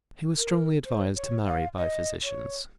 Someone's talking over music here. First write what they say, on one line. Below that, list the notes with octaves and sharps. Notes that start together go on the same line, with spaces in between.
He was strongly advised to marry by physicians.
A#4
C5
C#5
F5
D#5
C#5